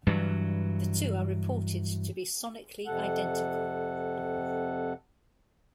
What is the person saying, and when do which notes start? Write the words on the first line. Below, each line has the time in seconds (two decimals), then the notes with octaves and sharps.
The two are reported to be sonically identical.
0.07 G2 E3 F#3
2.86 F2 C3 A4 F#5